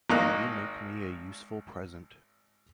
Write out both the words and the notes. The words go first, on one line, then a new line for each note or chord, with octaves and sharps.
You make me a useful present.
G#1 A#3 D#4 F#6